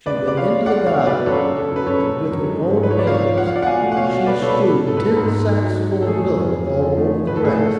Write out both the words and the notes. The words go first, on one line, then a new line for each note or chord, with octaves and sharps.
She went into the garden, and with her own hands she strewed ten sacks full of millet all over the grass.
G#3 B4 D5
G#3
D5
G#3 C#5 F5
G#3
G#3 D5 F#5
G#3 C#5 F5
B2
B2 B4 D5
F#2 A4 C#5
C#3
C#3 A4
F#2 B4
F#2 A4 C#5
C#3
G#3
F#2
G#3
G#2
G#2
B4
F3 C#5
D5
G#2 C#5 F5
F3
F3 F#5
F5
F3 D5 F#5
F#5
B2 F5 G#5
A3
F#5
B2 C#5 F5
B2
B2 B4 D5
B2 A4 C#5
B4
B2 A4
B2
G#2 A4
B4
G#2 A4
G#2
G#2
G#2
F#3
G#2
F#3
A4
A3 G#4
F2
F2
F2
F2
F3
A3
F3
A2 B4
A4
A2 G#4
A3 A4